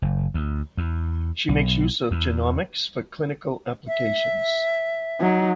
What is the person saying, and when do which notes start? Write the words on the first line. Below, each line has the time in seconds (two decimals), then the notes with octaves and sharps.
She makes use of genomics for clinical applications.
0.02 F#1
0.34 D2
0.77 E2
1.49 B1
2.11 E2
3.87 E5
5.21 F#3 D#4